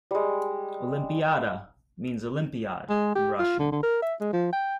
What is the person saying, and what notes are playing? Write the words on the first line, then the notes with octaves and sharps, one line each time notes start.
"Olympiada" means olympiad in Russian.
G3 G#3
G#3
G4
F4
D3
D3
A#4
E5
G#3
F3
G5